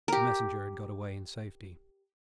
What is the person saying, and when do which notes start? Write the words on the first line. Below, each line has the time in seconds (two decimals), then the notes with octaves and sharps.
The messenger had got away in safety.
0.08 G4 A#4